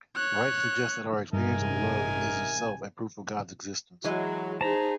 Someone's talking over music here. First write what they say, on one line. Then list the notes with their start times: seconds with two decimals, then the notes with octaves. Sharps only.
Wright suggest that our experience of love is itself a proof of God's existence.
0.16 C#5 F#6
1.33 A1 G2 C3 G#3 D#4 A#4 E5 G#5
4.04 E3 F#3 G#3 F#4 G#4
4.61 D#4 G#4 C5 A5 A#5